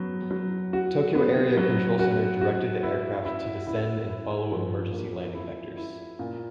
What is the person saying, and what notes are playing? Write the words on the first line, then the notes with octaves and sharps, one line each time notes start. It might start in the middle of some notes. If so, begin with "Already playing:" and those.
Tokyo Area Control Center directed the aircraft to descend and follow emergency landing vectors.
Already playing: F#3 B3
F#3
F#4
B3
F#3
F#4
F#4
E4
E4
E4
E4
F3
A#3
E4
E4
A#2